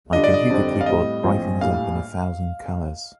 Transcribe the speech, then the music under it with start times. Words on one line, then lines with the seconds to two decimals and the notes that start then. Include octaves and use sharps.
My computer keyboard brightens up in a thousand colors.
0.13 D3 G3 D4 F4 D#5
0.24 D5
0.34 D#5
0.50 G1 F2 D3 G3 C4
0.81 F5
0.86 A2 G3 C4 D#5
1.23 A#1 A2 F3 C4 F4
1.61 A#1 A2 G3 F5